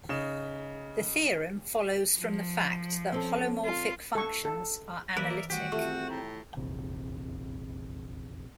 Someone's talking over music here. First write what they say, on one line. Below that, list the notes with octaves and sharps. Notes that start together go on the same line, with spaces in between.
The theorem follows from the fact that holomorphic functions are analytic.
C#3 D#4 E7
F3
C4 C#4 A4
F4
A4 C#6
A4
E3 A#3 A#4 B4 D5 E5
D#3 G3 A3 F#4 G4
A3 C4 F4 G4 E5
A2 G5 A#5
F1 A#1 E2 C3